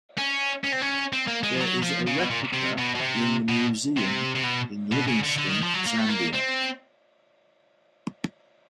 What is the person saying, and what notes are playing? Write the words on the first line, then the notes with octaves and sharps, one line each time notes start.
There is a replica in the Museum in Livingstone, Zambia.
C#4
C#4
C4
C#4
C4
A#3
G#3
F3
F#3
F3
C#3
B2
A#2
C3
B2
B2
C3
B2
C3
C3
B2
B2
C#3
D3
D3
D#3
F3
F#3
A#3
A3
A#3
C4